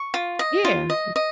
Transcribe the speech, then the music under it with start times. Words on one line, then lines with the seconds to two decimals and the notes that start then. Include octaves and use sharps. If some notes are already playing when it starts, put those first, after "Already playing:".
Yeah, m
Already playing: C#6
0.14 F4
0.39 D#5
0.65 F4
0.90 D#5
1.16 D#5